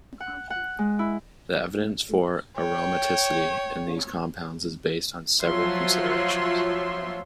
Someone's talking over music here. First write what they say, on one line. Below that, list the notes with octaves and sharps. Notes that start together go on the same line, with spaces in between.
The evidence for aromaticity in these compounds is based on several considerations.
F#5
F#5
G#3
E4
C#5 G5
F3 F#3 F4 C#5 E5 C6